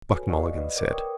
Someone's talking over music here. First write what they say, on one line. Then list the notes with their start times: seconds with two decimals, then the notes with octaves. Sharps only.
Buck Mulligan said.
0.09 F#4 A4 B4 C#5 G#5
0.28 D5 D#5 F5 F#5 C#6
0.53 B4 D5 D#5
0.75 A#4 C#5 F#5 D6 G#6
0.90 A#4 B4 G5 C#6 D#6